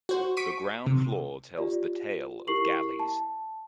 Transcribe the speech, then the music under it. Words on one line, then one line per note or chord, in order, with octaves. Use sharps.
The ground floor tells the tale of galleys.
F#4 C5
C#6 B6 D7 D#7
C3
F4 G4 D5
E4 G4 A#4 C#6 C7 F#7
A5